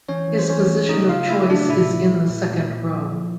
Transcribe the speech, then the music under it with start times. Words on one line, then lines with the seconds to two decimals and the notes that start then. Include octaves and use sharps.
His position of choice is in the second row.
0.09 E3 C#4 C#5
0.28 E3
0.39 C5
0.49 E3 C#4 C#5
0.68 A3
0.89 C#3 D#4 D#5
1.09 C#3 F4 F5
1.29 A3 E4 E5
1.50 C#3 D4 D5
1.69 A#2 E4 E5
1.91 F3
2.11 G#3
2.30 A#2
2.51 A#2
2.70 A#2
2.90 F3
3.12 F3